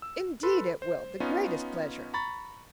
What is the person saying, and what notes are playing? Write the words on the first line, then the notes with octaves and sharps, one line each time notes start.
"Indeed it will; the greatest pleasure."
E6
A4 B4 B5 C6 E6
C5
B3 C#4 D#4 F4
A#5 B5 C#6 A6